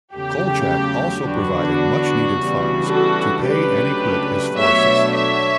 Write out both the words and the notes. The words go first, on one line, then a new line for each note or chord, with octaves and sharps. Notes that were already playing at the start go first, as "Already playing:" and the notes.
Kolchak also provided much-needed funds to pay and equip his forces.
E2 C#3 F#3 A3 G4
E2 D3 F#3 B3 D4 F#4
C#3 E3 G3 B3 D4
F#4 A4
C#2 C#3 F#3 A3 D4 G4 B4
B2 F#3 A3 D4 C#5 E5
C#5 E5